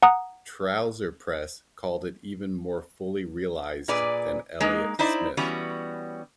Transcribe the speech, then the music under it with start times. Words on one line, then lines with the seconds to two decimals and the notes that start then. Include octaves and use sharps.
"Trouser Press" called it "even more fully realized" than "Elliott Smith".
0.03 F#5 A#5 D#6
3.88 A#2 G#4 B4 D5
4.60 G#3 A#3 D#4
4.99 D#4 E4 C5 D5
5.37 E3 G3 B3 C#4 F#4